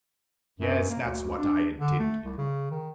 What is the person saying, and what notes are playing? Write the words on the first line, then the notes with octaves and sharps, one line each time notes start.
Yes, that's what I intended.
F#2
A#3
D2
D4
D3
A3
C2
C#3
D#3